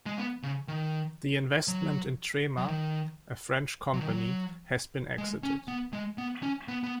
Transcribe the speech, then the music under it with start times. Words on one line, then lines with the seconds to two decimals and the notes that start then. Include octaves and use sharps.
The investment in Trema, a French company, has been exited.
0.06 G#3
0.18 B3
0.43 C#3
0.68 D#3
1.68 F#3
2.58 F#3
2.68 D#3
3.93 F#3
4.01 D#3
4.08 F#3
5.18 G#3
5.43 C#4
5.68 B3
5.93 G#3
6.18 B3
6.43 C#4
6.68 B3
6.83 B3